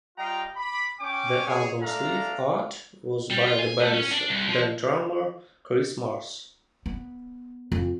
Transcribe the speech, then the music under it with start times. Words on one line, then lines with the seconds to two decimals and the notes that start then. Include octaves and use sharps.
The album sleeve art was by the band's then-drummer, Chris Mars.
0.18 G3 F4 D#5 F5 G5 A#5
0.56 B5 D6
1.00 C#4 G5 D6
1.46 G#4 C#5
1.82 A3 D4 A4 D5 F5 A#5
3.31 G3
3.46 F4
3.59 G#5
3.80 A3
3.94 C#4
4.12 D4
4.30 C2
4.48 F3
6.86 B3
7.72 F2